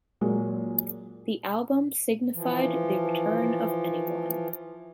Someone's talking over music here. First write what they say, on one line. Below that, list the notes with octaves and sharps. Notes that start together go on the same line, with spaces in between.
The album signified the return of Anyone.
A#2 F#3 G#3 A#3
E3 F3